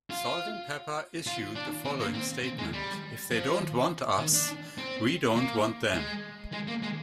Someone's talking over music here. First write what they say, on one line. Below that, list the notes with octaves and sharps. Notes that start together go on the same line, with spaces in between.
Salt-n-Pepa issued the following statement: If they don't want us, we don't want them.
F4
F4
D4
C4
A#3
C4
C4
G#3
G3
F3
D#3
D4
C4
A#3
G#3
G#3
A#3
G#3